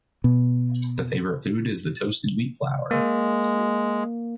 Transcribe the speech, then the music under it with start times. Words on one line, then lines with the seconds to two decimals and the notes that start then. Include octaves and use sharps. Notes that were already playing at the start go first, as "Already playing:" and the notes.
The favorite food is the toasted wheat flour.
0.24 B2
2.91 G#3 A#3